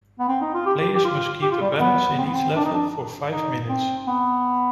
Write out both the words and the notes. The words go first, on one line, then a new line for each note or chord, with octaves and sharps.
Players must keep a balance in each level for five minutes.
B3
C4
D#4
F4
G4
G4
G4
F4
G4
F4
G3
B3
C4
B3
C4
D4
D#4
D4
D#4
C4
B3